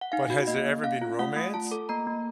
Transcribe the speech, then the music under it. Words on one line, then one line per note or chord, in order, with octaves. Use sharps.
but has there ever been romance?
F#5
D#4 F5
F#4
A#3 D#5
A#3
C#4 F5
F4
A3 F#5
A3
F4 A5
A4
A#3 A#5
A#3